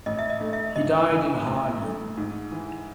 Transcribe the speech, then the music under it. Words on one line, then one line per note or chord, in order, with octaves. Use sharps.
He died in Halle.
A1 D#5
E5
D#5
A3
E5
G#2 D#5
E3
A1
A3
G#2
E3